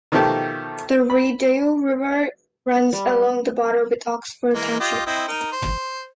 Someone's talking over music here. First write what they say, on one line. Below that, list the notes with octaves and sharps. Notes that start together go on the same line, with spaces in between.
The Rideau River runs along the border with Oxford Township.
B2 D#3 F3 A3 G4 A4
B5
G3
E3 G#3 A#3
F4 G4 D#5
C4 E4 D#5
D#4 A#4
C5